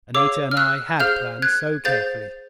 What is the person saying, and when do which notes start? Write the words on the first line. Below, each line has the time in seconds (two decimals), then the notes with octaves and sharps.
Anita and I had planned so carefully.
0.14 G#4 C#5 F5 D6 E6
0.51 F6
0.57 E6 F#6
1.00 G#4 C5 F5 F6 G6
1.42 F#6 G#6
1.85 G#4 C5 F5 G6 A6